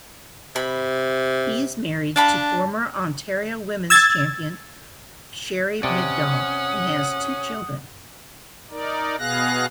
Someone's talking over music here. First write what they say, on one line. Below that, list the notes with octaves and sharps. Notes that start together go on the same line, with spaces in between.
He is married to former Ontario women's champion Sherry Middaugh, and has two children.
C3 B5
D4 F5 A5 B5
E6 G#6 A6
C3 C#4 D5 F#5 D#6
D#4 A#4 D5
B2 B3 G#4 F5 F#6 A#6